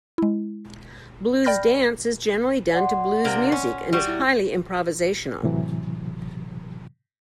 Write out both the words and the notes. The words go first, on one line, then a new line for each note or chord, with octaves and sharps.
Blues dance is generally done to blues music, and is highly improvisational.
G#3 E4
D5 G5 B5 F6 G6 A#6
D5 F#5 C6
C3 A#3 D4
C#4
G3 F#4
E4
A2 C3 E3 F#3